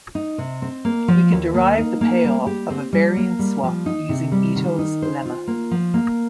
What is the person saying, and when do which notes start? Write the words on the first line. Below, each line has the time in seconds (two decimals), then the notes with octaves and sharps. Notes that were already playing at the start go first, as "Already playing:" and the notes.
We can derive the payoff of a variance swap using Ito's Lemma.
0.15 D#4
0.38 C3
0.62 C4
0.85 A#3
1.08 F3
1.32 D#2
1.54 A#3
1.78 D#4
2.01 A#3
2.24 G3
2.47 G4
2.70 C4
2.93 G3
3.17 A#3
3.39 G3
3.63 F3
3.86 D#4
4.09 C3
4.32 G3
4.56 D#3
4.79 D#4
5.02 C5
5.25 F4
5.47 A#3
5.71 F3
5.94 A#3